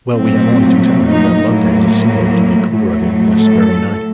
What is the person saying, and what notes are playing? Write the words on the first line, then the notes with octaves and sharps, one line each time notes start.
'Well, we have only to tell him that Loveday is a seaman to be clear of him this very night.'
A#2 F#3 A3 C4
C4
D#4
A2 F#3 A#3
A2 F#3 A3
A4